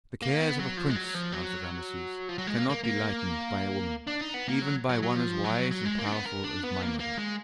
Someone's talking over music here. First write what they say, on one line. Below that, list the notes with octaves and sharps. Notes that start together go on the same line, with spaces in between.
"The cares of a prince," answered Rameses, "cannot be lightened by a woman, even by one as wise and powerful as my mother."
A#3
B3
F#3
F3
G#3
F#3
F3
F#3
F3
F#3
G#3
A#3
A#3
A#3
D4
D#4
B3
A#3
F#3
F#3
F#3
F3
F#3
F#3
G#3
A#3
D4
B3
A#4
D4
B3
A#3
A#3
G#3